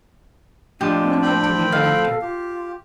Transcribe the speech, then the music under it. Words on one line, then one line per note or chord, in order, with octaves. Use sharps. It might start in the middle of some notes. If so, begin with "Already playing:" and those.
Women like to be run after.
A2 F3 G#3 D4 F4 G4
C4 G5 B5
A4 F5
F4 G4